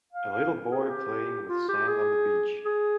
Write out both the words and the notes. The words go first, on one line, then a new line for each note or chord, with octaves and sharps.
A little boy playing with sand on the beach.
F5
F5
G#4
G4
F4
G4
G#4
G#4